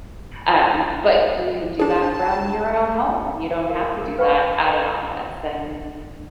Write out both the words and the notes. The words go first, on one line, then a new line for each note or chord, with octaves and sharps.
um, but you can do that from your own home. You don't have to do that at an office and
D4 G#4 A5
A#4 F5
B4 F5 G5 B5 C#6